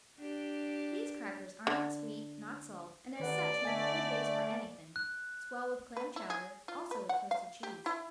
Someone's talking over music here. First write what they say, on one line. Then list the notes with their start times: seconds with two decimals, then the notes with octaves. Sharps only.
These crackers are not sweet, not salt, and as such make a good base for anything--swell with clam chowder, also with toasted cheese....
0.18 D4 G4
1.67 D3
3.20 A1 D#3 B4 D5 F#5
3.63 D3 A3 D#5 G#5 B6
4.96 F#6
5.97 B4
6.16 E4
6.30 G#4
6.68 F4
6.91 B4
7.09 F#5
7.31 F5
7.63 G4
7.86 E4